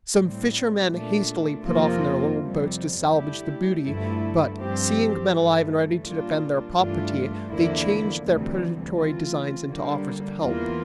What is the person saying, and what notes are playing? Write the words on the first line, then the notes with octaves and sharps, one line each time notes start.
Some fishermen hastily put off in their little boats to salvage their booty, but, seeing men alive and ready to defend their property, they changed their predatory designs into offers of help.
A2 G3 C4
A#2 A3 D4
F2 C3 F3 A#3 F4
F2 C3 G3
D3 A3 E4 G4
G2 D3 F3 A3 E4
G2 F3 C4 G4
G2 E3 A3
A#2 G3 A#3 D4 F4
G2 E3 A3 D4 F4
E2 D3 F3 A#3 E4
D2 C3 E3 G3
E3 A3 C4 F4
D3 G3 A#3
E2 E3 A#3 F4